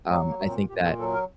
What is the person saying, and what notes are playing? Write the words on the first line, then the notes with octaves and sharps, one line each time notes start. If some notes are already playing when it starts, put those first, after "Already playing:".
um, I think that
F#3 A3
A#3
A#2
C4
A#2 G4
A4
F#3 A4
A#4